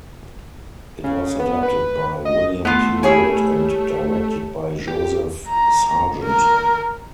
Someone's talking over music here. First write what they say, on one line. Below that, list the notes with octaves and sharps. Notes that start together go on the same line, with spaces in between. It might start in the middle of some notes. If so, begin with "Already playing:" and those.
It was adapted by William P. Wood and directed by Joseph Sargent.
C#3
B3
B4
D#5
A3 B3 F4
G3 E4 G#4 C#5 E5 G#5
G4
A#5
A#4